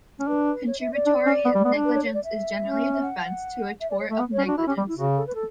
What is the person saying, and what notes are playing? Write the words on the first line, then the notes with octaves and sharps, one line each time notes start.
Contributory negligence is generally a defense to a tort of negligence.
C#4
D4 B4
C#5
E5
D5
D4
C#4
B3
G3
B3
D4
B4
C#5
C#5
D5
E5
C#4
E5
F#5
E5
D5
C#5
A3 E5
B3
C#5
C#4
D4 F#4
E4 F#4
C#4 G4
G3 G4
E4
C#3 F#4
A4
B4
A4